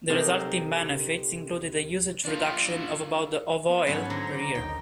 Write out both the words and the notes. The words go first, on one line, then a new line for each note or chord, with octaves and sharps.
The resulting benefits included a usage reduction of about of oil per year.
C3 D#4 A4 A#4 C5
D4 F4
B3
G#2 F#3 C#4 C#5 A5 B5
D3 C5 A#5
D6
A#1 D#2 D#4 G5